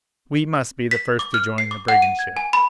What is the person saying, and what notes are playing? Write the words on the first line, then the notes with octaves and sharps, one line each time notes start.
We must be the first to join the brigand ship.
B6
D6
F6
C7
D6
F#5
D#7
G#6
G#5
B5